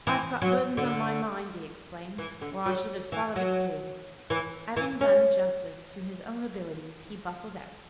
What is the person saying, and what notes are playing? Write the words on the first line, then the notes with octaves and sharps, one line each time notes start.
"I've got burdens on my mind," he explained, "or I should have thought of it too." Having done justice to his own abilities, he bustled out.
E3
F#3
D3
E3
D3
F#3
E3
F#3
E3
E3
C#4